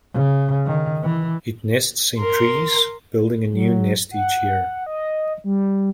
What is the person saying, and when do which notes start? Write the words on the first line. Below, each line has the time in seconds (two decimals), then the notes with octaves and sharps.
It nests in trees, building a new nest each year.
0.14 C#3
0.66 D#3
1.04 E3
2.19 A#4 C6
3.53 F#3
4.11 F#5
4.86 D#5
5.44 G3